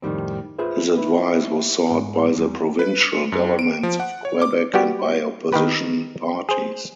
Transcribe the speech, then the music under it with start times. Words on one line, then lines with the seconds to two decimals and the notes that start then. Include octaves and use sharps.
His advice was sought by the provincial governments of Quebec and by opposition parties.
0.02 F2 A2 D#3 G3 C4
0.58 F4 G#4 B4 C5 E5
0.96 D#4 E4 B4
1.91 G#2
2.36 E2 G3
2.79 B4
3.01 C#7
3.32 F#2
3.59 D7
3.83 F3
4.00 F#5
4.25 C#5
4.42 D6
4.74 G3 B3 F#4 G4
5.52 D#3 A#3 G4 B4
6.49 G#4 C5